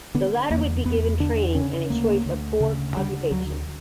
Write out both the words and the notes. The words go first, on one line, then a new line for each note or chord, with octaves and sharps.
The latter would be given training and a choice of four occupations.
D3 B3
E2 A#3
E2 B3
D3 D4
C#3 C#4
D2 A#3
D2
C#3
D3 G3
D2 F#3